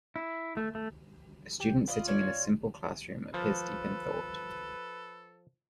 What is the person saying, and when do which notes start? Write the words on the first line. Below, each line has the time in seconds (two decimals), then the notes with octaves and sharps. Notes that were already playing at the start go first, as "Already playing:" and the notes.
A student sitting in a simple classroom appears deep in thought.
0.16 E4
0.57 A3
0.75 A3
1.60 G4
1.87 F4 B4 D5 D#5
2.07 C#4 C#5 D5
3.34 F3 A4 B4